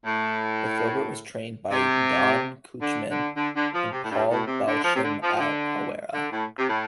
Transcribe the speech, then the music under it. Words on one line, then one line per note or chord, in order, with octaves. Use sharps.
The Filbert was trained by Don Couchman and Paul Belsham at Hawera.
A2
C3
D3
D3
D3
D3
F3
C3
A2
G2
A2
C3
D3
F3
C3
D3
F3
F3
D3
D3
A2
C3
A2